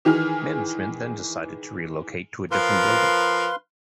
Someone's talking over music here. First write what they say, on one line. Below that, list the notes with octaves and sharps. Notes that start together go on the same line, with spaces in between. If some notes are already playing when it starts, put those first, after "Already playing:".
Management then decided to relocate to a different building.
D#3 E3 G#4 F6
F3 A#4 B4 F5 C6